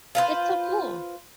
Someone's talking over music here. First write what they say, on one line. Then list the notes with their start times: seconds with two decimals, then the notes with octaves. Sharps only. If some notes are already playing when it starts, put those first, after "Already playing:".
That's so cool.
0.15 F4 B4 C5